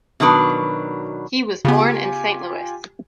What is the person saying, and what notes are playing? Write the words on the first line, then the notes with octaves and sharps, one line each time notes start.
He was born in Saint Louis.
B2 D#3 F#3 D4 B4
C#3 B3 F4 G4 G#5